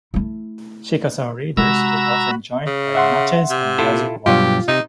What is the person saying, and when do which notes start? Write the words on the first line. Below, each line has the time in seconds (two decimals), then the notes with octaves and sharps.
Chickasaw raiders were often joined by Natchez and Yazoo warriors.
0.14 A3 E4
1.57 C3 G#3 F#4 A#5 B5 E6
2.66 C#3
2.95 E5 F#5 C6
3.50 C3
3.78 E4 F4 A4
4.26 G2 B2 F#3 F4 G4
4.68 C3 D#4